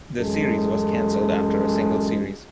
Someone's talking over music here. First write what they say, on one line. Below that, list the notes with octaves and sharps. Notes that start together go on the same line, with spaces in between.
The series was cancelled after a single series.
A1 F#2 G#3 A4